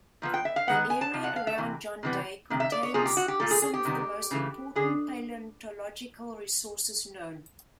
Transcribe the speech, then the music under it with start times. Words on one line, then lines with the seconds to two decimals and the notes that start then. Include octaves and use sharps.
The area around John Day contains some of the most important paleontological resources known.
0.22 A#2 F3 B3
0.34 G5
0.45 E5
0.56 F5
0.67 D#3 G#3 B3 F#5
0.90 G#5
1.01 A5
1.14 C3 F3
1.24 F#5
1.36 F5
1.47 E5
1.58 C3 E3
2.03 C3 E3 G3 B3
2.50 C3 D#3
2.60 E5
2.72 D5
2.83 C#5
2.94 C3 F3 A#3 G#4
3.05 G4
3.17 F#4
3.28 G4
3.40 A#2 F3 A3 A4
3.51 G#4
3.62 G#4
3.73 G4
3.85 C3 D#3 G3 B3
4.31 C#3 E3 A3
4.76 D3 G#4